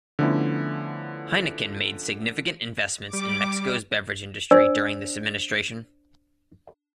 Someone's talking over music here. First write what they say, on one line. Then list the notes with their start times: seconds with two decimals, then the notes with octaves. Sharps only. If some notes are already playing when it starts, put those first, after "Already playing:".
Heineken made significant investments in Mexico's beverage industry during this administration.
0.19 D3 F3 A3 B3 C#4 E4
3.13 G3 D6
4.51 D4 C5 D5 G#5 E6